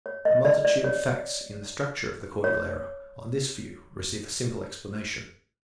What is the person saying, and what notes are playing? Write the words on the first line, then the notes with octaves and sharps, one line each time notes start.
A multitude of facts in the structure of the Cordillera, on this view receive a simple explanation.
C#5
D#5
D5
D5
C#5
C#5